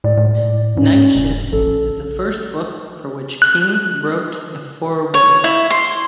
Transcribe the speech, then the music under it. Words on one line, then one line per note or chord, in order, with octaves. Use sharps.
"Night Shift" is the first book for which King wrote a foreword.
A2 D5
A2
G#2 C#4
F1
A#1 A4
F#6
C#5
E4
C6